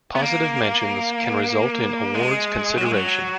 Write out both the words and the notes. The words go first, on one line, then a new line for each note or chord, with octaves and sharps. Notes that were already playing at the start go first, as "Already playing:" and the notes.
Positive mentions can result in awards consideration.
B3
A#3
G#3
F#3
G#3
F#3